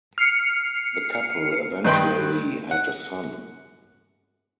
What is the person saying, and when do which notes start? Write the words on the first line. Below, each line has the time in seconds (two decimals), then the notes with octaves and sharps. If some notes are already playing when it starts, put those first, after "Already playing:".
The couple eventually had a son.
0.18 F6 C7 C#7
1.85 G2 D#3 B4 G5 C6
2.71 F#5